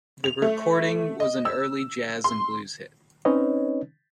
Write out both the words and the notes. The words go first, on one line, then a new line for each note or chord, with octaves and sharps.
The recording was an early jazz and blues hit.
F7
A3
D#5
E6
C6
C4 C#4 D#4 B4 C#5 D#5